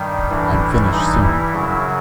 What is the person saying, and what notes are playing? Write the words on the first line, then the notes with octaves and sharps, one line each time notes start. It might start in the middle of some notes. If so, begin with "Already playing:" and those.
I’m finished soon.
Already playing: G2 D#3 G3
A2 E3 G3 D4
D4
G2 E3 G3 D#4
E4
F#2 C#3 F#3